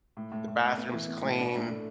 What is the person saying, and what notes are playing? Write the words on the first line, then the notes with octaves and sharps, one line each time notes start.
the bathroom's clean,
A2
A2
A2
A2
B3
E3
B3
A2
D4
A2
A3